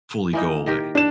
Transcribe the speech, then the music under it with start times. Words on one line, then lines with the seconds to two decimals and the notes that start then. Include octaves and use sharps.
fully go away.
0.33 E3 A#3 D#4
0.66 D#3 G4 A#4
0.95 D4 E7